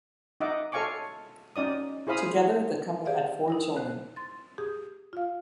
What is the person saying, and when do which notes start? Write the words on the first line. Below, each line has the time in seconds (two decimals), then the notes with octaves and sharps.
Together, the couple had four children.
0.40 D#4 D#5 E5 F#5 D6
0.72 A4 C#5 F5 G#5 C#6 D6
1.56 C#4 D#4 D5 D#6
2.07 E4 G#4 C5 F5 B5 D#6
3.05 G4 G#4 C5 D5 E5 F5
3.48 D#4 E4 A#4
3.76 C5 F#6
4.16 C6 A6
4.58 G4 G#4 D#6
5.13 F4 F5